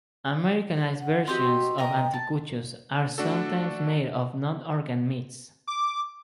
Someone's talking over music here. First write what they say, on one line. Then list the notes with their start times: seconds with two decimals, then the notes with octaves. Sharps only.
Americanized versions of anticuchos are sometimes made of non-organ meats.
1.00 F#5
1.27 C4 F#4 G4 D#5
1.78 A#4 D#5 G5 A#5
2.13 A5
3.18 A3 D4 F#4 A4
5.67 D6